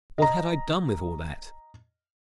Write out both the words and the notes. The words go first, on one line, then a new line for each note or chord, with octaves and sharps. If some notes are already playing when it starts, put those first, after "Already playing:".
What had I done with all that?
D#5 A#5